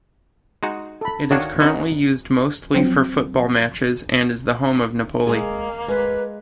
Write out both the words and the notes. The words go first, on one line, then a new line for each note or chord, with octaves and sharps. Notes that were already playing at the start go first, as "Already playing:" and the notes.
It is currently used mostly for football matches and is the home of Napoli.
G#3 D#4 F#4
A4 B5
D#3 D4 F#4 C#5 F5
B3 C#4 D#4 F#4 F#5
F3 F#3 C4
G#3 A#3 G#4
G#3 B4